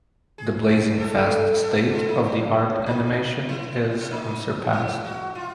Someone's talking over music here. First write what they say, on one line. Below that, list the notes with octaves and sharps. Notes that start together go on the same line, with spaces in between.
The blazing fast state of the art animation is unsurpassed.
G#4
A4
A4
E4
D#4
D4
D#4
E4
E4
D#4
E4
F#4
F4